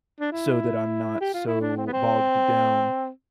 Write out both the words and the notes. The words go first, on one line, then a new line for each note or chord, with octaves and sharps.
so that I'm not so bogged down
D4
E4
G4
F4
E4
D4
C4
B3
C4